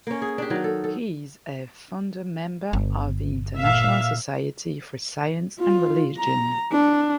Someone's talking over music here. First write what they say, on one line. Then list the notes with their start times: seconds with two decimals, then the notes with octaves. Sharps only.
He is a founder member of the International Society for Science and Religion.
0.07 A#3 C#4
0.22 G#4
0.38 D4 G4
0.50 D#3 F#3
0.64 A4
0.84 A4
2.73 G1
3.57 A#2 E5 F5
5.60 F4
6.18 A#5
6.72 D4